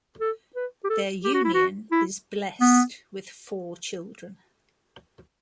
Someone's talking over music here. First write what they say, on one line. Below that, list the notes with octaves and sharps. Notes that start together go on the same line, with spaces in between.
Their union is blessed with four children.
A4
B4
G4
A4
G4
F#4
E4
F#4
E4
B3